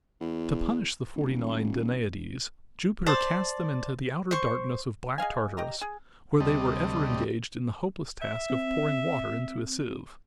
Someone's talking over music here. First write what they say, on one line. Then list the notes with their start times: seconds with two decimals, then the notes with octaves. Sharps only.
To punish the forty-nine Danaides, Jupiter cast them into the outer darkness of Black Tartarus, where they were ever engaged in the hopeless task of pouring water into a sieve.
0.20 E2
1.16 D#1
3.06 C5 D5 A5
4.31 C5 C#6
5.18 G#4 D#5 F5 G#5
5.57 G4 D#5 A#5
5.81 G#4
6.40 D2 C3 G3 D#5 A5
8.22 E5
8.50 C4